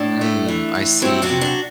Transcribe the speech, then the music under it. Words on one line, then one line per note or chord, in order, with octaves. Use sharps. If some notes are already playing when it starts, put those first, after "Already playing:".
Mm. I see.
Already playing: A2 D4
A3
E3
A2
F#3 C4 E4
D4 F#4
C3
D4 F#4